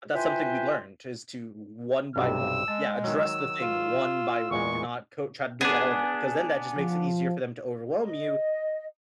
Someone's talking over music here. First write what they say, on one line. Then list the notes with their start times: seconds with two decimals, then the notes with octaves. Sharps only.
That's something we learned is to one by one Yeah, address the thing one by one, do not coat try to do all of it because then that just makes it easier for them to overwhelm you
0.14 E4 F4 B4 C5 G5 G#5
2.16 B1 G2 C3 E6
2.68 G#3 A5
3.04 D#3 F#3 E6
3.61 F4
4.51 E2 A#2 G#3 C#6
5.61 B3 D4 G#4
6.77 F3
8.01 D#5